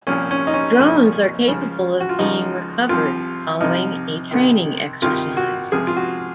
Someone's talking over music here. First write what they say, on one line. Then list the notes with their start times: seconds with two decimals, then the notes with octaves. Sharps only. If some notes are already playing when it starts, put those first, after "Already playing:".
Drones are capable of being recovered following a training exercise.
0.07 C2 A#2 F3 C#4
0.31 C#4
0.47 D#4
0.54 C#4
0.79 C2 A#2 F3
1.48 C#2 C#3 F3
2.00 F#4
2.09 F4
2.19 C#2 C#3 F3 D#4
2.89 C2 C3 F3 F4
3.60 C2 C3 F3 D#4
4.31 C2 C3 D#3
5.02 C2 C3 D#3 F4
5.37 F#4
5.72 C#2 C3 F3 G#4
5.87 F4
5.97 F#4